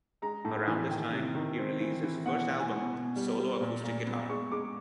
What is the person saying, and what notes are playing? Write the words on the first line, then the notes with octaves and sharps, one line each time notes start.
Around this time, he released his first album, "Solo Acoustic Guitar".
G#3 A#5
A2 A5
E3 G#5
D#3 G5
C3
D#3
C4
E3
E3
B2 F#5
B2
G#5
B2
B2
G3
G3
A#2
A#2
B3
G#3 C#6
G#3 D6